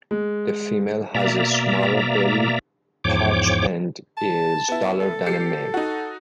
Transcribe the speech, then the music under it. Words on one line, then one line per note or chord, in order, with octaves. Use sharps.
The female has a smaller belly patch and is duller than the male.
G#3
B2 A#3 D5 E5 A#5
E2 G#2 F3 C#5 G5 D6
A5
B3 E4
A4
G4 C7 C#7
D#4 F#4